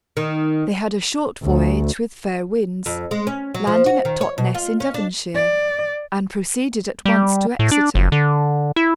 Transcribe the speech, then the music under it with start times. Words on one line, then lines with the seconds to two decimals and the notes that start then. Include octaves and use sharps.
They had a short voyage with fair winds, landing at Totness, in Devonshire, and proceeded at once to Exeter.
0.17 D#3
1.42 D2
2.86 F2
3.11 G#3
3.27 C#4
3.54 F#3
3.67 F3
3.86 F#4
4.05 D#3
4.21 C#5
4.38 B2
4.55 F4
4.80 C#4
4.94 D4
5.34 D5
7.05 G3
7.59 A2
7.71 D4
7.95 F#1
8.12 D3
8.76 E4